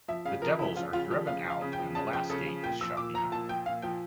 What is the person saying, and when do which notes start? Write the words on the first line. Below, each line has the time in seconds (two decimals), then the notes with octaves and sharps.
The devils are driven out and the last gate is shut behind them.
0.08 F3 E5
0.25 C#3 F5
0.42 F3 A#4
0.59 C#3 E4
0.77 F3 F4
0.93 C#3 F4
1.10 F3 G4
1.27 C#3 F5
1.45 F3
1.50 F5
1.61 C#3
1.73 G5
1.79 F3
1.95 C#3 A5
2.13 F3 G5
2.30 C#3 A4
2.46 F3
2.63 A#2 G5
2.81 F3 E6
2.97 A#2 D6
3.14 F3 A#5
3.32 A#2 A5
3.49 F3 G5
3.66 A#2 F5
3.82 F3 G5